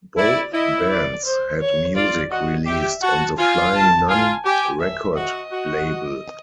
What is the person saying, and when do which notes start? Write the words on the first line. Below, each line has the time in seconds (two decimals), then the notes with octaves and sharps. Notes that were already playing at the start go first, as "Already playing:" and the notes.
Both bands had music released on the Flying Nun record label.
0.17 E4 D5
0.53 E4 D#5
0.89 D5
1.25 C5
1.60 C#5
1.96 F4 D5
2.31 F#4 D#5
2.66 G4 E5
3.02 F#4 A5
3.38 F4 G#5
3.74 A5
4.09 F4 G#5
4.45 G4 G#5
4.81 E5
5.16 F#4 D#5
5.52 F#4